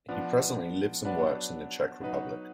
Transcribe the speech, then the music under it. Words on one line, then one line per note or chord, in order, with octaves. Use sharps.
He presently lives and works in the Czech Republic.
F3 B3 D4
F#3 B3 D4 F#4 B4
F#3 B3 D#4 F#4 B4